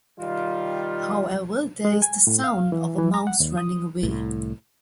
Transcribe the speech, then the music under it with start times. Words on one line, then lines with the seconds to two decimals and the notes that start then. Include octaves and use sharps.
However, there is the sound of a mouse running away.
0.19 D#3 G3 F4
1.85 G#3
2.02 G#5
2.27 A2
2.44 F5
2.72 E3
2.98 E3
3.14 A#5
3.27 F#5
3.40 D#2
3.57 D#6
4.03 C2 A2